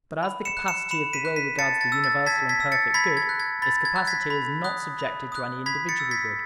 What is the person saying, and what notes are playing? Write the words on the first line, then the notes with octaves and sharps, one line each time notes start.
But as the capacity of the will regards the universal and perfect good, its capacity is not subjected to any individual good.
B5
C#7 E7
F#6
C#7 E7
B5 C#7 E7
B6 D#7
F#6
B6 D#7
A5 A6 C#7
A6
E6
A6
A5 G#6 B6
G#6 B6
E6
A6 C#7
B5 G#6 B6
G#6
F#6
G#6
B5 A6
G#6
F#6
G#6 B6
B5
D#6 F#6
B5
D#6 F#6
B5 G#6 B6
A6 C#7
E6
G#6 B6